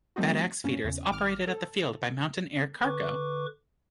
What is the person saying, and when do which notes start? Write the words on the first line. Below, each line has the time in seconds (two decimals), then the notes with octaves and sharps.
FedEx Feeder is operated at the field by Mountain Air Cargo.
0.16 F3 G3 A3 C4 D#4 F#4
0.64 G2 A#3 C#4
0.84 E2 C#3
1.11 G#1 D6 F6
1.47 A4
2.82 D3 B4 C#6 D6